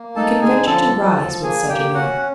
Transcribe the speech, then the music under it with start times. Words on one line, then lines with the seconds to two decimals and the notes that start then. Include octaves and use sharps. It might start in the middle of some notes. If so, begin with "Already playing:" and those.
You can venture to rise with such a name.
Already playing: A#3
0.16 D#4 A4 A5
0.41 D3 G#4 G#5
0.67 F3 A4 A5
0.92 F3
1.18 F3
1.43 A#3 G#4 G#5
1.69 A#3 G4 G5
1.94 C#4 F#4 F#5